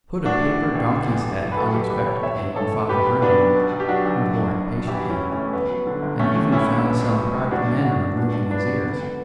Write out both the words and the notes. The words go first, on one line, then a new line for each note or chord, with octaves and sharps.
He put a paper donkey's head unexpectedly on Father Brown, who bore it patiently, and even found some private manner of moving his ears.
A2 D4 F#4
A1
E3
A1
D3
E2
F#3
E2
B4
F#2 F#4 A4
F#1 G4 B4
E3 G4 B4
F#1 A4 C#5
D2 C#5 E5
E3
C#3 A4 C#5
E1
B2 G4 B4
B1
F#3 B3 D4
B1
B2
B1
G4
F#3 D4 F#4
B1
F#2
F#1
E3
F#1
E2 E4 G4
F#3
C#4 E4
B2
A3 C#4
F#1
G2 B3
F#3
D3
G1
G2 A3 C#4
A1
D3 C#4 E4
A1
B2
C#2
F#3
C#2
A2 D4 F#4
B1
F#3 D4 F#4
B1
B2 D4 F#4
C#2
F#3 B3 D4
C#2
D3 B3